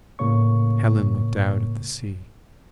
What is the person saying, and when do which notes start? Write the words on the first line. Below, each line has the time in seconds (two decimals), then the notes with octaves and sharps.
Helen looked out at the sea.
0.19 A2 C#3 A#3 C#5 C#6